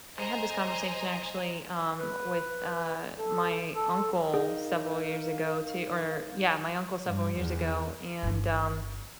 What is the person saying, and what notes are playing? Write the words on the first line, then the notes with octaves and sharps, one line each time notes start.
I had this conversation actually, um, with, uh, my uncle several years ago too or yeah, my uncle several years ago, and, um,
C5 D#5 G#5 A#5
B4
A4
A4
D#4 G#4 A#4 F5
G2
E2
G1 D4